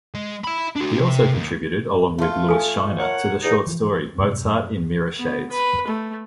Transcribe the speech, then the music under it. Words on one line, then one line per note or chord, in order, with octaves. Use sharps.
He also contributed, along with Lewis Shiner, to the short story "Mozart in Mirrorshades".
G#3
E5 B5
D4 F#4
C3
D#2
A3 F4
A4 G#5
A#4 C#5 F#5
E2 D#4
E3 F3
F#2 A2 C3
F#2
B3
B4
A3